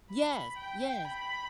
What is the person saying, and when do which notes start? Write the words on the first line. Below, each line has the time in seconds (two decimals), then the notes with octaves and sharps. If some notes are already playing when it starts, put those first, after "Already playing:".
Yes. Yes.
0.11 B5
0.58 G5
1.05 B5